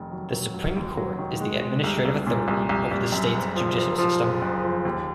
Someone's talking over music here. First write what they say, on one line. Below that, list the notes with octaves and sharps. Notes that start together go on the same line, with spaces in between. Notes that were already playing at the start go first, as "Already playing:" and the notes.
The Supreme Court is the administrative authority over the state's judicial system.
Already playing: F1 D#3
F#3
F#3
F#3
D#2
F#3
D#3
G#3
G#3
C2
C2
A#2
C2
C2
C2
F#2
F#1
F3
F3
F3
F#1
F#1
F3
D#2